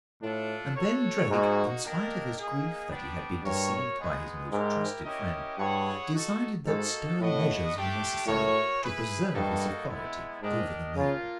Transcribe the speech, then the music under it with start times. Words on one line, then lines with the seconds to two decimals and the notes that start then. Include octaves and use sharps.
And then Drake, in spite of his grief that he had been deceived by his most trusted friend, decided that stern measures were necessary to preserve his authority over the men.
0.22 A2 D4 F4 A4
0.76 F#4 A4 C#5
1.29 G#2 A#3 D#4 F#4
1.83 A#3 D4 G4 A#4 D#5
2.37 A#3 D#4 G#4
2.90 G3 B3 D4
3.44 G2 F#4 A#4 C#5
3.98 G#3 B3 D#4 G#4 B4
4.52 G#2 E4 G4 A#4
5.05 C#4 E4 G4 A#4 D#5
5.58 G2 E4 G#4 C#5 F#5
6.13 D#4 F#4 A4
6.66 G#2 A#3 D#4 F#4 A4
7.19 A2 D4 F#4 B4 D#5 F#5
7.73 A3 D4 G4
8.27 A2 F#4 A#4 C#5
8.81 E4 G#4 B4
9.34 G2 G3 A#3 D#4 F#4 A4
9.88 G#3 B3 E4
10.42 G#2 D4 G4 A#4 D#5
10.95 C#3 A#3 D4 F4 A#4